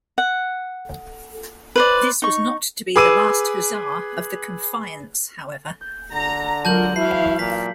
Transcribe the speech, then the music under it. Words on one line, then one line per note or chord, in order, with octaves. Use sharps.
This was not to be the last "huzzah" of the "Confiance", however.
F#5
B4 C5 D5
D#4 C#6
G#4 B4 D6 E6 D#7
G6
D3 A#5
F#3 G#3 F4 A#4 A5 G6 F#7
E3 E4 F#4 F5 C7
A#2 B6